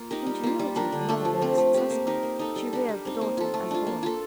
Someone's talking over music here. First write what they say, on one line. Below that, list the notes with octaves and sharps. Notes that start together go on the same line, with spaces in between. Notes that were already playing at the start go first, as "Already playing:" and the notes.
The ingenuity of the mother being successful, she reared the daughter as a boy.
Already playing: A#3 F4
D#4 G4 A#4
G3
A#3 F4
G3
D4 G4 A#4
D3
A3 D4 A4
F3
A3 C4
A3
C4 G4
A#3
D#4 G4 A#4
A#3
D#4 A4
G3
D4 G4 A#4
G3
C4 D#4
A#3
F4 A4
A3
D4 F4
A#3
F4 A4